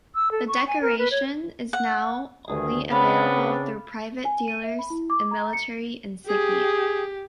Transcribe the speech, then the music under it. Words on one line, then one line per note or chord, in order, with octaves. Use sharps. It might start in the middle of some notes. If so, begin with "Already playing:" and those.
The decoration is now only available through private dealers in military insignia.
E6
A4
C#6
G#5
A#4
B4
C#5
F#5
D2 G2 D#3 G#4
C#3 B3 C4 D4 F5 B5
G#5
D#7
E5
B5
E4
D6
A#5
C#7
G4 G#4